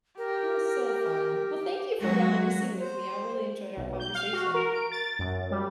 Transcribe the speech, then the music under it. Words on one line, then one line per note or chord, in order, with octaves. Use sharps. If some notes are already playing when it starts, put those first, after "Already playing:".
it was so fun. Well, thank you for reminiscing with me, I really enjoyed our conversation.
G4 A#4
F#3 G#3 F#4
C5
B1
G6
F5
F#4
A#4
D7
A6
F#2
G3